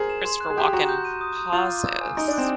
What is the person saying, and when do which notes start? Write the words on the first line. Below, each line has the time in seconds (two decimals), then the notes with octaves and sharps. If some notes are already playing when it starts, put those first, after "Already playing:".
Christopher Walken pauses,
Already playing: G#4 A#4 C5
0.10 E7
0.25 C6
0.40 F#6
0.50 G#4
0.57 G4 D#6
0.73 F#4 A#5
0.89 G6
1.05 D#7
1.21 D#6
1.37 D#6
1.53 F4 G6
1.69 D6
1.85 E6
2.01 G#5
2.17 D#4 D7
2.28 D4
2.33 C4 F#6